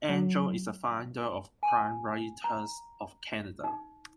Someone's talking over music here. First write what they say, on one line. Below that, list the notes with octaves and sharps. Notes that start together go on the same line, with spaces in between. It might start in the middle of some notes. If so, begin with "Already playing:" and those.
Engel is a founder of Crime Writers of Canada.
F#3
G#5
A#5
D#4